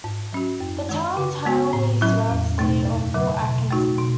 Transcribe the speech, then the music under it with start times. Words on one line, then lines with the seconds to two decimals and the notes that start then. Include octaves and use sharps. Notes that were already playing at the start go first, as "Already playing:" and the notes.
The town entirely surrounds the city of Fort Atkinson.
0.04 G#2
0.33 F#3 C#4 F#4
0.60 F#2
0.89 D#3 G#3
1.17 C#3
1.45 G#3 B3 F#4
1.73 A2
2.01 F#3 C#4 E4
2.30 E2
2.58 B2 A3 D#4
2.85 F#2
3.14 C#3 F#3
3.42 B2
3.71 A3 D#4 F#4
3.98 B2